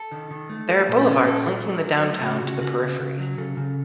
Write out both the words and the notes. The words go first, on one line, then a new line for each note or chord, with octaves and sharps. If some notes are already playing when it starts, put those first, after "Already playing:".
There are boulevards linking the downtown to the periphery.
Already playing: A4
D#3
D#3
A3
A3
A#2
C#4 C5
A#2 A4
F#3 A4
F#3
F#3
A3
C#3 F#4
F#4
C#3
F#4
C#3 F#4
C#3
C#3
F#3
C#3 A4
C#3